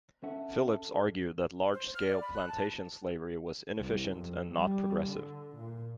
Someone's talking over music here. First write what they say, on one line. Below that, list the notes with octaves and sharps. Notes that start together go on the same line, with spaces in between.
Phillips argued that large-scale plantation slavery was inefficient and not progressive.
C#4 A4 E5 F#5
C5
F6
D5
B5
F#6
A5
C2
F2
G3
D3
A#2